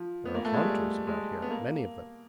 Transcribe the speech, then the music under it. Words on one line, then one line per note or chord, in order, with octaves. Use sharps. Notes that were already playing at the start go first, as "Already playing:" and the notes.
There are haunters about here,--many of them.
Already playing: F3
B3
A#3
A3
G#3
G3
G#3
B3
A#3